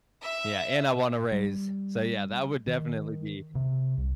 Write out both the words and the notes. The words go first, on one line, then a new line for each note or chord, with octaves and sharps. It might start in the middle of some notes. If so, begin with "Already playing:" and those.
yeah, and I want a raise, so, yeah, that would definitely be,
E5
G3
D#3
C3
C2